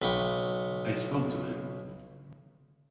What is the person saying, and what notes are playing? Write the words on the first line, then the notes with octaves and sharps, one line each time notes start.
I spoke to him.
B1 B4 F#5 G5 B5 C#6